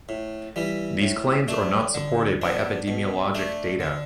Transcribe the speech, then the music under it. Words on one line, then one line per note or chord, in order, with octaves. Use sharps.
These claims are not supported by epidemiologic data.
A2
E3 G3 E4
A2
A3 D4
D3
B3 D4
B2
A3 D4
D3